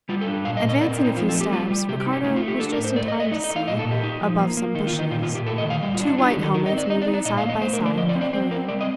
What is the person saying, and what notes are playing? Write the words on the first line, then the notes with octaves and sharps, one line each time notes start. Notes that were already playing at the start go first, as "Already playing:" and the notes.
Advancing a few steps, Ricardo was just in time to see, above some bushes, two white helmets moving side by side in the clearing.
G3 F4
A4
D4
A#2 F5
D#5
A#2
D#5
C4 D5
A#4
C4
D#4
F3 F4
A4
A3
G4
G3 F4
G3
C3 G4
G4
D#4
G4
A3 D#4
F4
A3
G4
D4 A4
A#4
A2
C5
A3 D5
D#5
A3
D#5
D#4 D5
D#5
A3
F5
A#2 D#5
A4
A#2
G4
D#4
F3
A#3
A#3
D#3 D#4
F4
D#3
D#4
A#2 F4
F4
A#2
G4
A3 A4
D#5
D#3
F5
G3 D#5
F4
D4
D#4
D4 F4
G4
D#3
A4
D#4 A#4
D#5
C4
D5
D#4 D#5
D5
D#4
D5
A#2 D#5
F5
A#3
D#5
A3 C5
A#4
D3
D5
F3 D#5
D5
C4
D5
C4 C5
C4 A#4
G3 D5
D#5